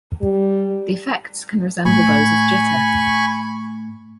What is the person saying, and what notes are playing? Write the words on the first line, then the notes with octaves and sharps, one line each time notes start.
The effects can resemble those of jitter.
G3
A2 G#5 B5 C#6